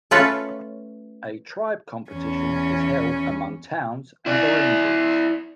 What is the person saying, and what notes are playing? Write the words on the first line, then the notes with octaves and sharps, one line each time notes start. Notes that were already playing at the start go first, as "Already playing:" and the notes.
A tribe competition is held among towns and barangays.
A3 C#4 F4 A4 B4 C#5
E2 C#4
E4 D5